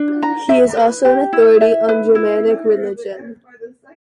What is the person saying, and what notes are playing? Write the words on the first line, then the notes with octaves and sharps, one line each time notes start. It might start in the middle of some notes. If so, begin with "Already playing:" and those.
He is also an authority on Germanic religion.
Already playing: D4
A#5
E5
B4
G4
E4
E5
B4
E4